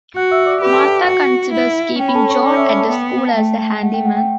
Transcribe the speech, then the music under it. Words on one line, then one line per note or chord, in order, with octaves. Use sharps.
Martha considers keeping John at the school as a handyman.
F#4 F#5 F#6
E5 E6
D5 D6
G4 B4 B5
A4 A5
G5
G5
F#4 F#5
E4
C#4 G5
B5
A4 A5
C#5 C#6
C#4 D5 D6
E5 E6
B5
A4 A5
B3 G5
A5
A3 G5
A3 F#5
G5
F#5
G5